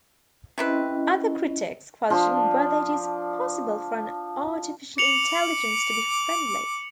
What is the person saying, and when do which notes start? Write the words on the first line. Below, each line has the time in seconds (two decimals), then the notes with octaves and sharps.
Other critics question whether it is possible for an artificial intelligence to be friendly.
0.58 C3 C4 C#4 E4 B4 D#5
2.10 F3 D4
4.98 D6 C#7 F7 F#7